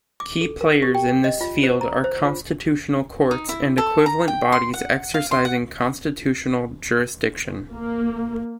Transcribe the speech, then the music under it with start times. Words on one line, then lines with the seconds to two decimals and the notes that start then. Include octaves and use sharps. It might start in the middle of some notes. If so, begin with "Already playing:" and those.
Key players in this field are constitutional courts and equivalent bodies exercising constitutional jurisdiction.
0.20 D6
0.41 A4
0.61 A#4
0.82 G4
0.95 G5
1.24 D#5
1.41 F4
1.63 C5
1.81 A#5
2.04 C5
2.25 F4
3.31 D#4
3.49 E4
3.78 A4
4.06 A#5
4.28 G5
4.52 C6
4.74 F#5
5.14 F5
5.31 C6
5.45 F#5
7.72 A#3